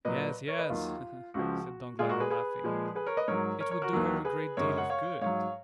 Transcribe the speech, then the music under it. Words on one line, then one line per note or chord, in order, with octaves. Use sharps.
"Yes, yes," said Danglars, laughing, "it would do her a great deal of good."
A#2 F#3 B4 D#5
A#4 C#5
B4 D#5
D#2 D#3 F#3 F4
C#2 C#3 F3 F#4
A#2 G#3 F4 G#4
F#4 A#4
G#4 B4
G#4 B4
A#2 F3 G#3
G#4 B4
A#4 C#5
B4 D#5
G#2 F#3 A#4 C#5
A#4 C#5
A#4 C#5
F#4 A#4
D#2 D#3 F#3
G#4 B4
F#2 C#3 G#3 A#4 C#5
F#5
C#5 F5
G#2 F#3 C#5 F5